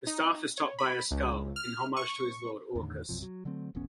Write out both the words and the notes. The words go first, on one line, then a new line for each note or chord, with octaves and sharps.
The staff is topped by a skull, in homage to his lord, Orcus.
D#4
C#5
B5
C#2
F6
C#6
E2 A2 D3 D#3
B1 F#2 C3 F3
F#3
D3 F#3 A3 C4
E1 A1 B3 C#4